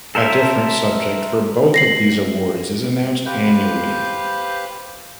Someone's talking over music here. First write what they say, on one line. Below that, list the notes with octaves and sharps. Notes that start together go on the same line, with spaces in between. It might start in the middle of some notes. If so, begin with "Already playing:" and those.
A different subject for both of these awards is announced annually.
A4 A#4 C5 E5
A#6 C7 F#7
G4 B4 C5 F5 F#6 G6